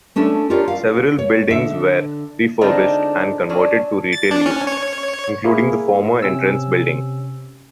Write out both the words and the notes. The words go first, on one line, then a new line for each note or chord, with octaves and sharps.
Several buildings were refurbished and converted to retail use, including the former entrance building.
A3 C#4 D4 E4 A4
F4 G4 A#4 C#5 D5
F5
C#5
D3 E5
D3 G#3 C4 D4 D#4 F4
F#3 C#4 D4
A6
D4
C#4
C#5
A#3 E4 G#4
C3 C#4 E6